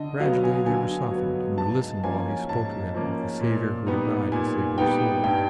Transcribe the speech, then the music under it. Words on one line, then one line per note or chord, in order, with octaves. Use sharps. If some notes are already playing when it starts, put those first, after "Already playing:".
Gradually they were softened and would listen while he spoke to them of the Saviour who had died to save their souls.
Already playing: D3 D#5
F#3 B3 F5
G#5
D3 G#5
F#3 B3
G#2 A5
F3 A#3 C#4 G#5
G#2 A5
F3 A#3 C#4
A#2
G3 B3 D#4
A#2 G#5
G3 B3 D#4 G5
G2 G5